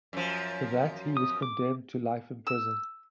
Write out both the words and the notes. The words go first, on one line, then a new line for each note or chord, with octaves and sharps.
For that, he was condemned to life in prison.
F#2 F3
D#6
D6
E6